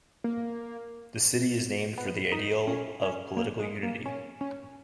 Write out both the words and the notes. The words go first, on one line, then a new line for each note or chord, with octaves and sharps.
The city is named for the ideal of political unity.
A#3
B3
D#4
C#4
C#4
A#3
G#3
A#3
C#4
C#4